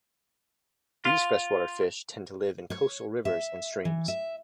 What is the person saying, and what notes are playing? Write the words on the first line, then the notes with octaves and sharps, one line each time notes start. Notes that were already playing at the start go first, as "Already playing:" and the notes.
These freshwater fish tend to live in coastal rivers and streams.
F4
C#5
E5
E3
E5